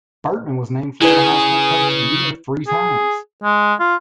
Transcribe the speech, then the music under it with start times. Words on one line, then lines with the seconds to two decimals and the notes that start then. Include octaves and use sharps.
Bertman was named Florida High School Coach of the Year three times.
1.01 C#3 E4 G#4 B4
2.68 G#4
3.44 G#3
3.80 F4